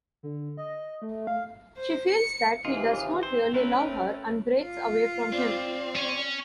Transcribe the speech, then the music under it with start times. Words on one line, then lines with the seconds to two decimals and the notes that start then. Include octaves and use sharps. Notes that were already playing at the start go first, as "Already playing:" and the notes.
She feels that he does not really love her and breaks away from him.
0.23 D3
0.57 D#5
1.02 A3
1.27 F5
1.77 C5
2.09 C#7
2.65 D#2 C3 E3 D#4 F4 G#4
3.23 C4 C5
3.54 A3 C#4 A#4 B4
4.64 F4
5.32 C4 D5
5.96 C#4 C#5